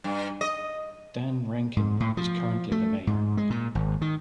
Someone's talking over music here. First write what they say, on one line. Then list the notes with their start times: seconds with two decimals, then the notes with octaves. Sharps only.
Dan Rankin is currently the mayor.
0.04 G2
0.41 D#5
1.77 G#2
2.00 A2
2.17 F3
2.72 A3
3.07 G#2
3.37 G#3
3.50 A#2
3.75 G#1
4.01 D#3